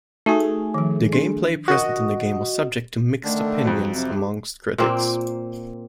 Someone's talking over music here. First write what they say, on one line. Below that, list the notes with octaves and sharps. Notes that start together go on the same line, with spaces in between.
The gameplay present in the game was subject to mixed opinions amongst critics.
A3 D#4 F#4 G#4
D#3 F3
D4
F#4 A#4 D#5
D3 D#3 A3 D4
F2 F#3
C3 C4
G4
A#2 A#3 C4